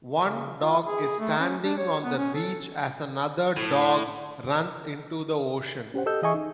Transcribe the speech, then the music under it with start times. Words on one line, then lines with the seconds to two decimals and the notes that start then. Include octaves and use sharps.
One dog is standing on the beach as another dog runs into the ocean.
0.23 C#3
0.60 F4
0.85 G#4
1.19 A3
1.39 C#4
1.62 D4
1.78 C#5
2.03 B3
2.17 C#4
2.34 A4
3.57 A2
5.94 C#4 G4 C5 F#5
6.06 G4 A4 D#5 E6 G6
6.22 E3 G#4 D#5 E5 G#5 C#6
6.34 D#4